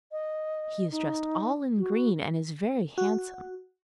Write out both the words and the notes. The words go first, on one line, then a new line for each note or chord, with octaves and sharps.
'He is dressed all in green, and is very handsome.
D#5
D#4
F#4
F#4